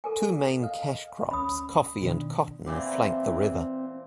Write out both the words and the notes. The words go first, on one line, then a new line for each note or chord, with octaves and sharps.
Two main cash crops, coffee and cotton, flank the river.
A4 A#4 G#5
D#5 F5
D2 C#4 B5 D#6
B2 D#3 D4
A#2 E3 C4 D6